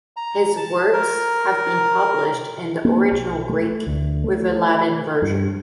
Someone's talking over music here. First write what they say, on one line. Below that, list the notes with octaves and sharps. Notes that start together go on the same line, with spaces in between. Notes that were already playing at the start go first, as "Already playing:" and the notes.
His works have been published in the original Greek with a Latin version.
A#5
A5
A#4
A#3
B1
A3
D2
A3
G2